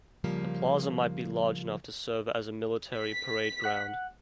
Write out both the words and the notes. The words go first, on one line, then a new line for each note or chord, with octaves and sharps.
The plaza might be large enough to serve as a military parade ground.
C#3 F3 G3 A#3
B6
F#5 F#6